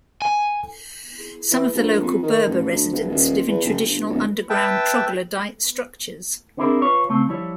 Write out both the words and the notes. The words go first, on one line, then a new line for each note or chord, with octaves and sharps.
Some of the local Berber residents live in traditional underground "troglodyte" structures.
G#5
E3
A#1
F2
D#3
A1
D2
E1
D#1
E2
F#1
G1
D1
B4 E5 G5 A5
B3 C4 D4 E4 G#4 A#4
F4 B4 C#5
C#3 A3 C4
F3 G3 E4 C#5